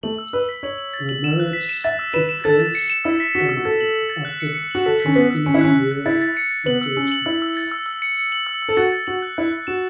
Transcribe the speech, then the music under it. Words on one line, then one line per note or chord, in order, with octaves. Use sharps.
The marriage took place anyway, after a fifteen-year engagement.
A3 F#7
E6
B4 E6
B6
C#5 F#7
F#7
A6
F#7
E7
F#6
B6
E7
E5 A6
E6
B4 E7
E7
A4 A6
A6
C#7
E7
E4 E6
B6
F#4 B6
E6
F#4
A4 A6
F#7
F#7
A6
F#6
C#7
C#7
F#4 F#7
A4 B6
B6
C#4
B3 B6
E6
C#4 C#7
E4
C#4 F#6
F#6
F#6
E4 A6
A6
C#7
A6
B3 F#7
E6
C#4 E6
F#7
E4 E6
E6
A6
E6
E6
C#7
C#7
F#7
E6
E6
A4
F#4 A6
A6
F#4 F#7
F#6
E4 F#6
F#6
F#4 E7